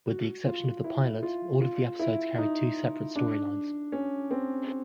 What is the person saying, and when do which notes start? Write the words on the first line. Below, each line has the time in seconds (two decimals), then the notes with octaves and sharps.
With the exception of the pilot, all of the episodes carried two separate storylines.
0.07 F#4
0.46 F4
0.84 E4
1.23 F4
1.61 F4
1.99 E4
2.38 D#4
3.16 D4
3.92 C#4
4.31 C4